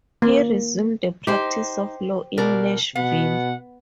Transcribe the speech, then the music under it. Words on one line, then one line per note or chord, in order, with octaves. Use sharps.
He resumed the practice of law in Nashville.
A#3
D#4 G4 C5
B2 A#4 D5
B2 B3 F#5